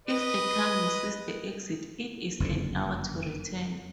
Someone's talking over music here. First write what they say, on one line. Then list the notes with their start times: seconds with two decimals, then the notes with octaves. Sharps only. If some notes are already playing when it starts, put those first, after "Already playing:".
If a car misses the exit, it is an hour to return.
0.08 B4 D#5
2.40 F#1 F2 A#2 D3